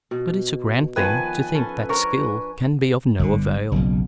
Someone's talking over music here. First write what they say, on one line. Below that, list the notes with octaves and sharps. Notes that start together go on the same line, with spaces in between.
But it's a grand thing to think that skill can be of no avail.
B2
D#3 F3 B3 B4 G#5 A5
C#4 A4
D4 A#4 C5 C#6
G1 A#2 D3
F#1 B1